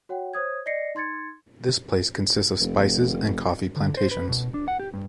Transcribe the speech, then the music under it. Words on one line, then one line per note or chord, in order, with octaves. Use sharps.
This place consists of spices and coffee plantations.
F#4 C#5 F#5 G5
C5 C#5 D#6 G#6
D5 D#5 A#6 C7 C#7
D#4 C6 G#6 A6 C#7
F1
D3
C5
B4
B2
D4
F#5
G4
G2